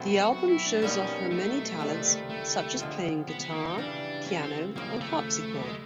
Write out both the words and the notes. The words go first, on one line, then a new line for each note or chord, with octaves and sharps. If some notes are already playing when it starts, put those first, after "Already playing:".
The album shows off her many talents such as playing guitar, piano and harpsichord.
Already playing: B2 F#3 A3 C4
F#4
F#4
E4
D4
B1 B2 G3 A#3 C#4 D#4
A3
C#2 C3 D#3 G3 C4
A3
D3 F3 G#3 C4 F4
B3
B3
A#3
D#4
C#3 E3 G3 D4
C#4
C4
D#2 C#3 F3 A#3
A3
G3
G#3